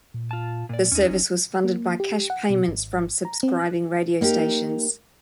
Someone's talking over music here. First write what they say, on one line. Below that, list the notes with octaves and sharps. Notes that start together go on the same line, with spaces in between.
The service was funded by cash payments from subscribing radio stations.
A#2
F4 A5
A#2 D5
E2 C#4 D#4
G1
A#3
G4
F#5
B2
G#1
A#5
C4
F#6
A#3 D#4 G4